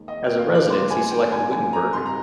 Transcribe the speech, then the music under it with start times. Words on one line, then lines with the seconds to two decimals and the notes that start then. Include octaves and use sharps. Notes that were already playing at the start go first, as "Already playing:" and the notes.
As a residence he selected Wittenberg.
Already playing: D#2 D#3 G#3
0.08 D#5
0.24 G5
0.39 F5
0.55 D6
0.70 C6
0.90 G#5
1.11 G5
1.32 G#5
1.52 G#5
1.73 A#5
1.93 G#1 G#2 G3 C6
2.06 A#5